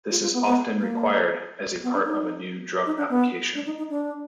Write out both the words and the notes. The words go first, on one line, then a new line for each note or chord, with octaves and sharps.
This is often required as a part of a new drug application.
F4
F4
B3
B3
A#3
B3
D4
D#4
D#4
D4
B3
D4
D#4
D#4
D4